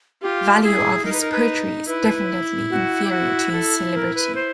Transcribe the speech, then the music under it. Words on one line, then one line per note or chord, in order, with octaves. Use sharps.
The value of his poetry is definitely inferior to his celebrity.
F4 G4
E4 G#4
D#4 A#4
B4
A#4
B4
E4 B4
F#4
G4
F#4
A4
A#4
B4
C5